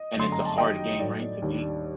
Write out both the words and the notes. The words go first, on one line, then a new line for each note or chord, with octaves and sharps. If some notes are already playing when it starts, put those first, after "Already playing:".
And it's a hard game, right, to beat?
Already playing: D#5
G1 F#2 D3 F#3 A3 C6
A#5
A5
F#2 D#3 G3 D#5 G5
A2 F#3 A3 D#4 D5
D#2 D#3 G3 D4